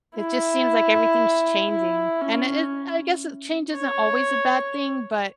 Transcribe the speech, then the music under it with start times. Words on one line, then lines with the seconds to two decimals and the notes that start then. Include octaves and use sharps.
it just seems like everything's changing, and it it I guess change isn't always a bad thing, but
0.17 E4
1.71 E4
2.22 C#4
3.76 C#5